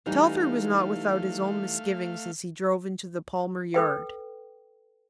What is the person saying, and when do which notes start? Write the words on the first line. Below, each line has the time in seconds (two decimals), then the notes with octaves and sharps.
Telford was not without his own misgivings as he drove into the Palmer yard.
0.06 E3 G3 A3 D#4 F5
3.74 A4 B4 G5